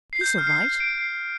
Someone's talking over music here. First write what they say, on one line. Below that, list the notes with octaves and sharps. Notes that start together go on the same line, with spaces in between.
He's all right.
C7
G6
F6
C7
D7
C7